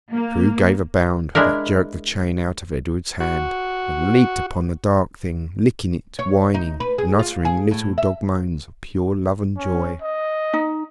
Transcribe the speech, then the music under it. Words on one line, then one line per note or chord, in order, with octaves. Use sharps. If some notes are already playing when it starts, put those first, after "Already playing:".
True gave a bound that jerked the chain out of Edred's hand, and leaped upon the dark thing, licking it, whining, and uttering little dog moans of pure love and joy.
A#3
G#3 D4 E4 A#4
F#4
C#5
D#4
B4
G#4
F4
G#4
A2
E5
C#4
D#5
D#4